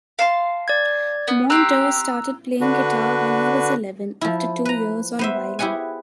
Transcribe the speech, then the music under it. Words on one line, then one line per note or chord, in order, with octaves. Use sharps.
Monder started playing guitar when he was eleven, after two years on violin.
F5 A5 C6
D5 G#6
B3
C4 G4 A#5 E6 F#6
D3 D4 F#4 B4
F3 E4
B4 A#5
B3 C5 E5
E4 G4 G#4 F#5 G#5